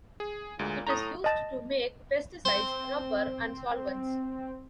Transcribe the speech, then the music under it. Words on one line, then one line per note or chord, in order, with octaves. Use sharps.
It is used to make pesticides, rubber, and solvents.
G#4
D2 A#2 G#3
A2 A#5 D#6
D#5 A5
C4 C5